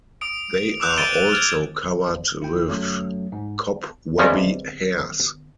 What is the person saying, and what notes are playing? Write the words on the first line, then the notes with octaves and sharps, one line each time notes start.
They are also covered with cobwebby hairs.
D#6 D7
D6 E6 F#6 G6 F7
A6 D7 D#7 G7
F6 G#6
E4 G5
F#2 F#3 A3
G#2
G2 C3 G3 G#3